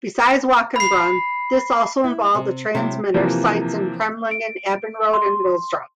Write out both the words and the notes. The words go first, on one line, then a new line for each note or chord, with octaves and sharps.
Besides Wachenbrunn, this also involved the transmitter sites in Cremlingen-Abbenrode and Wilsdruff.
B5 C7
E4
C3
C3 F#3 G#3 C4 E4
C3 E3 F3 A#3
D7
C6